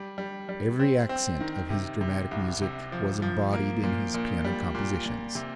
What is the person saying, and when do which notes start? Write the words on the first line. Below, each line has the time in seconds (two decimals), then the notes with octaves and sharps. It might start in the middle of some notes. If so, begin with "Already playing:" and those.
Every accent of his dramatic music was embodied in his piano compositions.
Already playing: G3
0.18 G3
0.49 G3
0.79 C4
1.09 C4
1.40 D#3
1.70 C3
2.01 C3
2.31 C2
2.61 C3
2.92 F3
3.22 F3
3.53 A#3
3.83 A#2
4.14 A#2
4.44 G3
4.75 A#2
5.06 A#2
5.35 C3